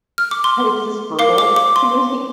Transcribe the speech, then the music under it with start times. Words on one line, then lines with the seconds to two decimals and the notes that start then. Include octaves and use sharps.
it's just brutal to me.
0.18 F6
0.31 D6
0.44 C6
1.19 A#4 F5 D6
1.38 D6
1.56 D6
1.76 C6